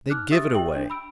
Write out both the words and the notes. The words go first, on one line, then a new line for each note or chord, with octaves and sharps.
They give it away.
D#4 D6 F6 F#6
G4 E5 D#6 E6 A6
G4 E5 G5 F#7
D4
B5 E6 D7